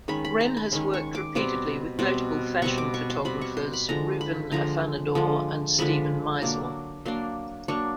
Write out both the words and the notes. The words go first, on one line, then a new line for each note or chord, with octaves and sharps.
Renn has worked repeatedly with notable fashion photographers Ruven Afanador and Steven Meisel.
D#3 G#3 C#4 B5
B5
A#5
B5
D#3 G#3 C#4 C6
C#6
D6
B2 G3 C4 D6
B2 G3 C4
B2 G3 C4 C#6
D6
C#6
C6
B2 G3 C4 B5
C#6
C6
B5
D3 F3 G#3 A#5
B5
D3 F3 G#3 A#5
D3 F3 G#3
D3 F3 G#3 B5
F#3 A#3 D4
F#3 A#3 D4 C6
F#3 A#3 D4 C#6